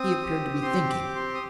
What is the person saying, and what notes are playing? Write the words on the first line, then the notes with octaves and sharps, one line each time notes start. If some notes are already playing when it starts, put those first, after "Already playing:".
He appeared to be thinking.
Already playing: C4 D#6
G4
C4 C6
D6
G4
C6
D#6